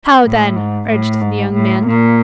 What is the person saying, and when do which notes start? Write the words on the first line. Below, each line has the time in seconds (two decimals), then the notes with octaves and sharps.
'How then?' urged the young man.
0.25 A2
0.56 G#2
0.90 A2
1.21 G#2
1.54 A2
1.87 A#2